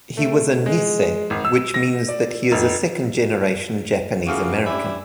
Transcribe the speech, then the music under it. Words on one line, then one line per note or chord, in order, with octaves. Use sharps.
He was a "Nisei", which means that he is a second generation Japanese American.
A3
G#3
G#1
E6
A#6
D5
F1
C#3 A3 A#3 F4 F#4
C#4 D4 E4 G4